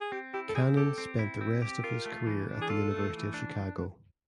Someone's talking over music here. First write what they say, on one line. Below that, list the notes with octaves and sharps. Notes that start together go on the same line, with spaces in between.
Cannon spent the rest of his career at the University of Chicago.
G#4
C4 G4
E4 G4
A4
C4 G#4
G4 A4
C4
E4
C4
G4
F4 A#4
A3
E3
D4
G#4
F4 A4
A3
E3
D4